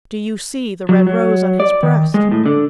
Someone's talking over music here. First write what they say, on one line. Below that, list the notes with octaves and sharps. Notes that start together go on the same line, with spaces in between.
Do you see the red rose on his breast?
F#3
F#3
D5
D#3
G#3
A2
D3